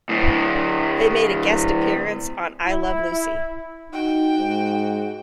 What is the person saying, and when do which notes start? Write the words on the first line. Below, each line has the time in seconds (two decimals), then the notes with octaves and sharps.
They made a guest appearance on I Love Lucy.
0.09 D2 A2
2.62 E4
3.93 D#4 F#4 G5
4.38 G#2